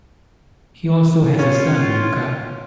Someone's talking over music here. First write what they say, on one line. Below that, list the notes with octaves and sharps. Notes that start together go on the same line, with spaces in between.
He also has a son, Luka.
C#4 F4